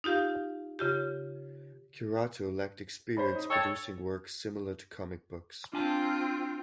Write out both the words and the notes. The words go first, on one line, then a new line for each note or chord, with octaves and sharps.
Curato lacked experience producing works similar to comic books.
D#4 F4 G4 F5
C#3 F4 G4
C5 C#5 B5
D#4
A4 C#5 G5 A6
C4 D4 F4 G#5 A5